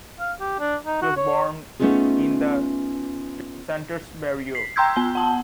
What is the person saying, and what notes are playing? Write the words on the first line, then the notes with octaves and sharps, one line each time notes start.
He was born in the Santurce barrio.
F5
G4
D4
D#4
F#4
C#5
A3 B3 C#4 D#4 F4 G#4
B6 C7
G5 A#5 C6 E6 G6 G#6
B3 G7
F#5 A5